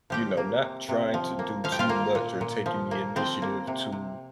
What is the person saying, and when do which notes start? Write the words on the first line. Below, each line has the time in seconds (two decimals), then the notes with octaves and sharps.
You know, not trying to do too much, or taking the initiative to
0.10 F3 G4 G5
0.37 A#3
0.63 C3
0.89 C3
1.14 F3
1.39 A#3
1.64 F3 F5
1.72 G5
1.79 F4 F5
1.89 A#3
2.15 A#2
2.41 A#2
2.66 F3
2.91 A#3
3.16 F3 C4 C5
3.42 A#3
3.67 C3
3.92 C3